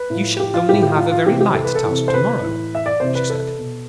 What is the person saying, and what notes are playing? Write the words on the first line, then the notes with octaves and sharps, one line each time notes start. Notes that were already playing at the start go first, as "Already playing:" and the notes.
'You shall only have a very light task to-morrow,' she said.
Already playing: B4
A2 F3
G4
F4
A2 F3 G4
G4
F4
F4
C3 E3 G4
G4
A4
B4
A4
C3 E3
C5
B4
A2 E3
E5
D5
C3 E3 C5
B4
A4
B2